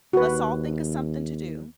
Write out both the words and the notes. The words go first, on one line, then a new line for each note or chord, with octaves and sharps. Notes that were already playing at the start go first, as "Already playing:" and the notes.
let's all think of something to do,
D#2 F#4 B4